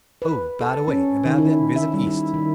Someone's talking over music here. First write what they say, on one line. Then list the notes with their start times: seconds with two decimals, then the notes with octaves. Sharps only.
Oh, by the way--about that visit East.
0.22 B4
0.61 A4
0.88 C#4
1.25 D#3
1.38 E4
1.76 E5
1.94 G3
2.07 E4
2.34 D#3